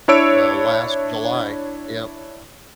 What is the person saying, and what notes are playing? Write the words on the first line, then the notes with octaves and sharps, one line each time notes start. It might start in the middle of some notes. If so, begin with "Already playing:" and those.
uh, last July Yep.
D4 E4 C#5 E6 D7